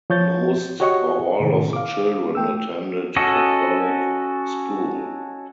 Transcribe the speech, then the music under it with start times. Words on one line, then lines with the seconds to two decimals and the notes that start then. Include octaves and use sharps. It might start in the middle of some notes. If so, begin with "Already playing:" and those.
Most, or all of the children attended Catholic school.
0.10 F3 C#5 G6 A6
0.80 F#4 G4 C#5 D#5 F#5 C#6
1.40 A2 C3 D#3
1.73 F5 D6
2.35 A3 G5 E6
3.16 C#4 F#4 A4 D#5